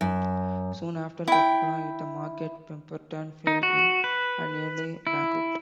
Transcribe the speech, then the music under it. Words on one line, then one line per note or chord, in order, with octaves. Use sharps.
Soon after Coca-Cola hit the market, Pemberton fell ill and nearly bankrupt.
F#2
E4 G5
D#4
F#4
B4
E4